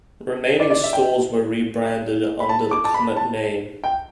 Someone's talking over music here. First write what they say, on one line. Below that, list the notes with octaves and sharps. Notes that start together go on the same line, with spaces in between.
Remaining stores were rebranded under the Comet name.
D5
D5
E5
G5
B5
A5
D6
A5
B5
A5
G5